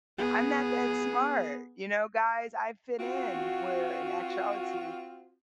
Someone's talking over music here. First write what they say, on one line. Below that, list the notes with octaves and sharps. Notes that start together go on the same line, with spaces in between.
I'm not that smart, you know, guys, I fit in." Where, in actuality,
B3 G#4
C4 F4 F#4